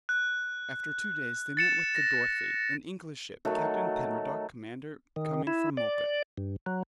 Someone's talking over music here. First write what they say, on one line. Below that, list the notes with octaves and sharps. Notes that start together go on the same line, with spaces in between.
After two days they met with the Dorothy, an English ship, Captain Penruddock, commander, coming from Mocha.
F#6
A6 C#7 E7
A#6
D#3 F#3 A3 F#4
D#3
E4
D5
G2
F#3